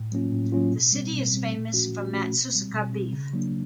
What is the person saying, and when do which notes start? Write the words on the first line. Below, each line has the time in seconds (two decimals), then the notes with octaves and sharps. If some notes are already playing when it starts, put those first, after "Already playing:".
The city is famous for Matsusaka beef.
Already playing: A2
0.12 F#3 A#3 C#4 F4
0.32 A2
0.52 F#3 A#3 C#4 F4
0.72 B2
0.92 G3 C4
1.13 B2
1.33 G3 C4
1.53 A#2
1.73 F3 A3 C#4 F#4
1.93 A#2
2.13 F3 A3 C#4 F#4
2.33 B2
2.53 G3 C4
2.73 B2
2.93 G3 C4
3.13 C#3
3.33 F#3 A#3 D4